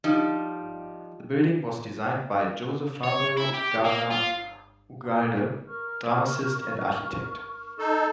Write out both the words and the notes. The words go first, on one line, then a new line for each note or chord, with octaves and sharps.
The building was designed by Jose Fabio Garnier Ugalde, dramatist and architect.
F3 G3 D#4
C#5
E4
G4
A#3
F4
A#4 C#6 F6
D#4 A4